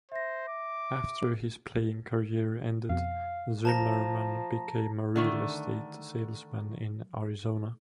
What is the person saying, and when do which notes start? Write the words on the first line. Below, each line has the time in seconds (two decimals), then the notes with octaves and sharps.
After his playing career ended, Zimmerman became a real estate salesman in Arizona.
0.12 C5 E5 A#6
0.49 D6
2.90 F2 B2 F5
3.65 F3 A5 A#5 A#6
5.16 D3 D#3 A3